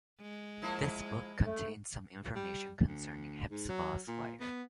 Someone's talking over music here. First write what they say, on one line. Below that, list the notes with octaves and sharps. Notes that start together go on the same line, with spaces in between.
This book contains some information concerning Hephzibah's life.
G#3
F3 A#3 E4
A3
G3
D2
G#2
F#3
A#2
B3